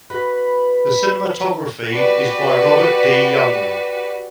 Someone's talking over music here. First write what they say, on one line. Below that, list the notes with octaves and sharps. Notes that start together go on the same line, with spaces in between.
The cinematography is by Robert D. Yeoman.
F#4 B4 D#5 B5
F#4 G4 B4 D5